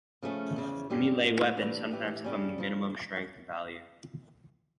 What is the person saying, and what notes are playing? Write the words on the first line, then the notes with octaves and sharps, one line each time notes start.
Melee weapon sometimes have a "Minimum Strength" value.
C#3 F3 A3 C#4
E2 C#3 F3
G2 D3 F3 C#4 G4
A2 F3 A3
A2 E3 G3 D4 G4
A2 E3 A3 E4 G4
C#3 G3 C#4
C#3 F3